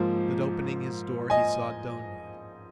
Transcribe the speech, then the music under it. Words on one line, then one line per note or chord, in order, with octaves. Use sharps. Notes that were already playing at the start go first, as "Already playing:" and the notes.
But opening his door he saw Dounia.
Already playing: G#2 F3 A#3
D#5 G#5